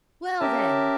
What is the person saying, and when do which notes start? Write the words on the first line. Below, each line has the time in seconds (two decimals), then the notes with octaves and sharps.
"Well then!"
0.40 C#4 G4 A#4 E5 A5